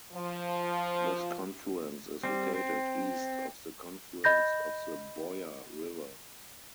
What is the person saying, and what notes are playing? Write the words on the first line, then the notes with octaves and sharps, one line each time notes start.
This confluence is located east of the confluence of the Boyer River.
F3
G3 C4
C4
D#5 B5 G6 A#6